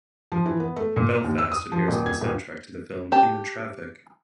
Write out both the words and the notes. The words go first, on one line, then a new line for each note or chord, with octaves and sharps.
"Belfast" appears on the soundtrack to the film "Human Traffic".
F3
E3
B3
A3
A#2
D#2
E6
D#6
F3
D#1
G#6
D#1
G4 A5